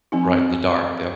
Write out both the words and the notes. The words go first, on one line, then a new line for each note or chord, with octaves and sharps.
Right, the Daughter Yup.
F3 C4 D#4